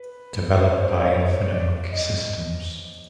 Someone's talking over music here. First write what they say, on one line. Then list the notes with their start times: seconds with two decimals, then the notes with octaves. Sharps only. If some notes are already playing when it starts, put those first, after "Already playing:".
Developed by Infinite Monkey Systems.
Already playing: B4
0.54 C5
0.72 C#5
0.77 C5
1.00 C#5
1.24 C#5
1.46 D5
1.93 D#5